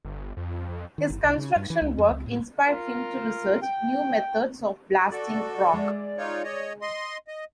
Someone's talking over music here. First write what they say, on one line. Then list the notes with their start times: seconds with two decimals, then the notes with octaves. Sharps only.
His construction work inspired him to research new methods of blasting rock.
0.05 G1
0.37 F2
0.69 F2
0.98 D#3
1.10 G1
1.24 C2
1.38 C#3
1.56 G2
1.70 E3
1.81 C#2
1.98 F2
2.11 C#2
2.26 A2
2.66 F4 A#4
3.61 G5
5.12 F#4 A4 D5
5.73 G#3 E5
6.18 D#4 F4 C#5
6.44 C#5 D#5
6.82 D#5 C6
7.28 D#5